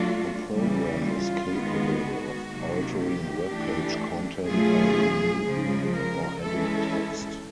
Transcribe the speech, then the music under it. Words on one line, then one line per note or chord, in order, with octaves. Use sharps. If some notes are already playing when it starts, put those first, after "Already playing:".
The program is capable of altering web page content by removing or adding text.
Already playing: F#3 A3 D4 F4 F#4
C#3 E3 G3
F4
D#3 G#3 B3
F#4
C3 D#3 F#3 A#3
G4
E3 A3 D4
B2 F#3 A3 C#4 F4 G#4
C#3 F3 G#3
A#4
E3 G#3 C#4 E4 A4